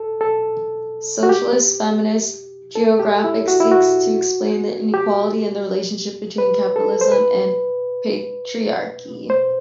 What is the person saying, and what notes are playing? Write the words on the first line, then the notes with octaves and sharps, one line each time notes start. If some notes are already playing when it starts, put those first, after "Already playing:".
Socialist feminist geography seeks to explain inequality and the relationship between capitalism and patriarchy.
Already playing: A4
A4
F#4
G4
A4
G4
E4
F#4
E4
F#4
G4
B4
A4
C5
B4
C5